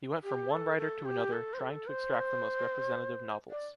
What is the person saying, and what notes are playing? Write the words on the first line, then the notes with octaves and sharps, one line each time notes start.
He went from one writer to another, trying to extract the most representative novels.
G4
A4
A4
G4
A4
C5
A4
C5
D5